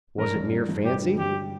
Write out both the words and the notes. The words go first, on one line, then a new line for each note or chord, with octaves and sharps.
Was it mere fancy?
G2 A#4
G2
G2
G2
G3 G4
D3
G2 G4